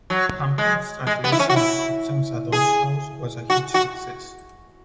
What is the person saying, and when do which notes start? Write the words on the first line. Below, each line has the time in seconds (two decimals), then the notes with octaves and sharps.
Hampton's translation of Ibsen's "A Doll's House" was a huge success.
0.10 F#3
0.58 G#3
1.07 G#3
1.24 B3
1.32 E4
1.39 C#4
1.49 F#4
1.56 E4
2.52 G#4
3.50 F#4
3.74 F#4